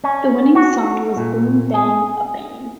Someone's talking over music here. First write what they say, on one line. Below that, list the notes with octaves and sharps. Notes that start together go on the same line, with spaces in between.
The winning song was Boom Bang A Bang.
C#4
F#4
A#2
G#4